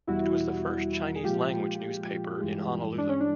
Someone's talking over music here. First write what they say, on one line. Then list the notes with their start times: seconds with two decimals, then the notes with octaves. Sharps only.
It was the first Chinese language newspaper in Honolulu.
0.07 E2 B2 G3 E4 F#4
1.16 G#4
1.24 A#2 F3 G#3 F4 G4
2.41 G2 E3 G#3
2.98 D4
3.09 C#4
3.20 D4